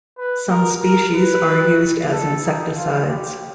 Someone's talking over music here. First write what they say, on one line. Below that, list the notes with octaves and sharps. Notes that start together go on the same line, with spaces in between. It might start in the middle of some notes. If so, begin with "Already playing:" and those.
Some species are used as insecticides.
B4
A#4
A#4
B4
A4
D#4
F4
G4